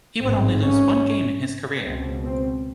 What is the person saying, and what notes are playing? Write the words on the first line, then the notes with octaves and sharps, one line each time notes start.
He would only lose one game in his career.
A1 G#2 C4
C#4
C#2 B2 C4
C4